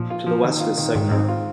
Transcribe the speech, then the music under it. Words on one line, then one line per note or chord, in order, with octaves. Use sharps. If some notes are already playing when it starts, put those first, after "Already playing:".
To the west is Segner.
Already playing: A#2 F3
F4
F3
D#3
F4
D#3
G#2 D#3
G#2 C4
F4